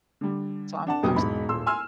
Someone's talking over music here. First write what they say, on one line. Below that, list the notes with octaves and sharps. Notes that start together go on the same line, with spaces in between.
So, I'm I'm s
D3 G3
D4 F#5 A5
F1 A#1 B2 F#3 G4 D#6
E1 G#2 D#4 B5
D#1 C6 E6
G#5 C6 E6 F6